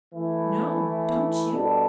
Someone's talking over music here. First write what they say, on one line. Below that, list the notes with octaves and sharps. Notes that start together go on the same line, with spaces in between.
"No. Don't you?"
E3 A3 E4
B2 G3 D4 A4